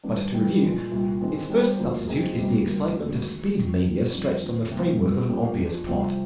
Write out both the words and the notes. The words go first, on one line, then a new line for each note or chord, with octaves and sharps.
But to review: its first substitute is the excitement of speed-mania stretched on the framework of an obvious plot.
G2 D#3 G#3 D4
G2 D#3 G3
A#2 G#3 D4
C2 A#2 G3
G#2 D#3 G#3 C4
G3 D4 G4 C5
D2 D3 F3 A#3
G#2 F3 C4 D#4 G#4
D2 C3 G3
D#2 D3 G3 A#3
D2 D3 G3 A#3 D4
D#2 D3 G#3
G3 D4 F4
A#2 F3 C4 D#4
F2 D#3 G3 D4 F4
D#2 D3 F3 C4
C2 C3 F3 A#3 D4
A#2 G3 C4 G4
F3 A#3 D4 G4
F3 G#3 D4
C2 C3 F3 C4